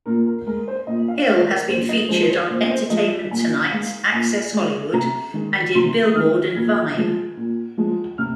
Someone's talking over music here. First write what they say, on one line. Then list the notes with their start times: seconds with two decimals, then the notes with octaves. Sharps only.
Hill has been featured on "Entertainment Tonight", "Access Hollywood", and in "Billboard" and "Vibe".
0.06 A#2 A#4
0.26 A#4
0.46 G#3 A#4
0.68 C5
0.87 A#2 D#5
1.08 F5
1.27 G#3 F5
1.48 A#4
1.69 A#2 C5
1.89 D#5
2.09 F3 G#3 C5
2.29 C5
2.50 A#2 C5
2.71 C5
2.90 F3 G#3 D#5
3.31 A#2 G#5
3.72 G#3 F5
4.12 A#2 G#5
4.53 G#3
4.93 C3 A#5
5.34 D#3 G#3
5.75 C3 C6
6.05 D#6
6.15 D#3 G#3 F6
6.56 A#2 G#6
6.97 F3 G#3
7.37 A#2
7.77 F3 G#3
8.18 C3 F6